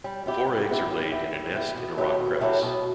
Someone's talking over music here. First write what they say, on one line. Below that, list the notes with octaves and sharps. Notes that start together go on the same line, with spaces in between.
Four eggs are laid in a nest in a rock crevice.
G3
B3 E4 G4
G3
B3 E4 G4
G3
B3 E4 G4
G3
B3 E4 G4
B2
F#3 A3 E4 G4
B2
F#3 A3 E4 G4
B2